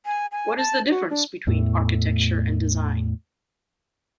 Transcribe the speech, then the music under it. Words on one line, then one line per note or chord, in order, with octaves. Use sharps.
What is the difference between architecture and design?
G#5
G#5
A5
F#4
D4
E2 A2 A3